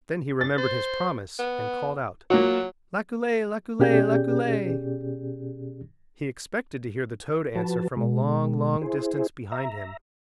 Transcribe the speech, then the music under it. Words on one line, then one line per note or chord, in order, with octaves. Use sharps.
Then he remembered his promise and called out, "Laculay, laculay, laculay." He expected to hear the toad answer from a long, long distance behind him.
A6
C5
B3
F#3 A#3 F4 F#4
B2 C#4 G4 G#4 D5 G6
F3 F#4 B4 A5
B2 G#3
E4 G#4 C5
E5 A#5